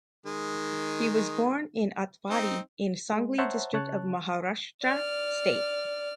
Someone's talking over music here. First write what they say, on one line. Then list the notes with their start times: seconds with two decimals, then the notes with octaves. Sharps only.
He was born in Atpadi, in Sangli district of Maharashtra state.
0.26 D#3 G#3
2.30 C4 D#4
3.13 G#3
3.38 C5 C#5 E5 F#5 A5 A#5
3.73 C#3 C#5 A5 F#6
4.83 D5 F6